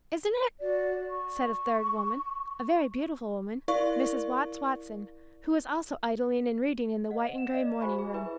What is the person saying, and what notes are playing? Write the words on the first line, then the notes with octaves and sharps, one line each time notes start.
"Isn't it?" said a third woman, a very beautiful woman, Mrs. Watts Watson, who was also idling and reading in the white-and-gray morning room.
F#4 D5
C#6
E4 A#4 D5 F5 C#6
D#5 F#5
E7
D5 D#5 F5
F#4 G#4 C5 G#5 B5 C#6
G#4
E4 B4 E5 G#5